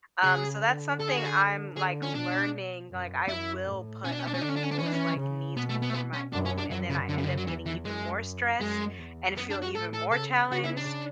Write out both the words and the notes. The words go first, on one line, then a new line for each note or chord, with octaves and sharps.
Um, so that's something I'm, like, learning like, I will put other people's, like, needs before my own, and then I end up getting even more stressed, and feel even more challenged,
C#3 G#4
D3
A4
G#4
F#4
G#4
D3 G#4
C#4
B2 D4
F#2
F#2 E4
A2
B2 C#4
D4
C#4
D4
C#4
D3 D4
C#4
D4
C#4
D4
E3 C#4
D4
C#4
C#3
B2 B3
A3
B3
A3
B3
C#4
F#2 D4
C#4
D4
F#2 F#3
C#3
D3
C#3
D3
C#3
F#3
E2 E3
E3
F#2 G#3
F#2 G#3
E2
F#2 B3
D4
F#4
A2 A4
A4
C#3 A4
C#3 F#4
E4
D4